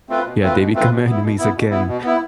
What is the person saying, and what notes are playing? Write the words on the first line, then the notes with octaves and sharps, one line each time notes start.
Yeah, they become enemies again.
A3 C4 F4 B4
B2
A3 C4 F4 B4
B2
A3 C4 F4 B4
B2
B3 E4
B2
B3 E4
B2
B3 E4
B2
B3 E4